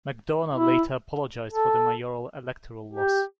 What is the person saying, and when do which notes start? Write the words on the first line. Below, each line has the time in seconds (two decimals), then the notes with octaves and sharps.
McDonagh later apologised for the mayoral electoral loss.
0.53 E4
1.49 A4
2.93 G4